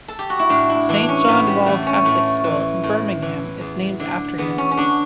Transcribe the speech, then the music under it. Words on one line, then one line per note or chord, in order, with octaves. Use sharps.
Saint John Wall Catholic School in Birmingham is named after him.
A4
G4
F#4
E4
A2 D4
E4
E3 D4
C#4
A2 B3
G3
E3 A3
C#4
A2 A3
E3
A2
E3
E2
D3
E2 B3
C#4
C#4
D3 D4